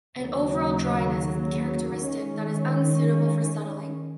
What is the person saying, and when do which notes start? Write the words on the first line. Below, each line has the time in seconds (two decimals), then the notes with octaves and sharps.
An overall dryness is characteristic that is unsuitable for settling.
0.18 D#2 C#3 F#3
2.03 D#3 G#3 C#4